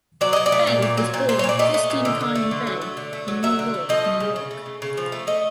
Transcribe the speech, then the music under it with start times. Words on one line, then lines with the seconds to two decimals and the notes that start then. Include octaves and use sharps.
Bay was born Kristine Carlin Bay in New York, New York.
0.21 F#3 D5
0.33 F#3 D#5
0.46 D5
0.52 A3
0.67 A#2
0.82 A#2
0.97 F#3
1.14 A#2
1.29 A#2 C5
1.39 C#5
1.44 A#2
1.49 D5
1.59 A3 D#5
1.74 A3
1.90 A#2
2.05 D3
2.21 D3
2.35 A3
2.51 D3
2.67 F#3
2.82 A3
2.97 D3
3.13 A3
3.28 F#3
3.43 F#3 E5
3.59 D3
3.74 A3
3.89 F3 D#5
4.04 A3
4.20 C#3
4.36 C#3
4.51 A3
4.66 C#3
4.82 C#3
4.97 F3
5.12 A3
5.27 A3 D#5